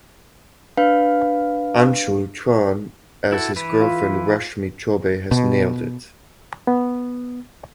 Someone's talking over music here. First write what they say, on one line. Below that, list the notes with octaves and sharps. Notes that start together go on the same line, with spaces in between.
Anshul Chauhan as his girlfriend Rashmi Chaubey has nailed it.
D4 B4 F5
E4 F#4 A4
E3 B4
F4
B2
B3